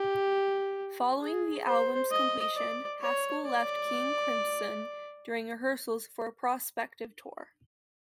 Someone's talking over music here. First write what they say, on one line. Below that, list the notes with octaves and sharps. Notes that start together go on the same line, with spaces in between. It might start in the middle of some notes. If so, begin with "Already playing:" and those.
Following the album's completion, Haskell left King Crimson during rehearsals for a prospective tour.
Already playing: G4
G#4
C5
D#5
D5
C#5
D5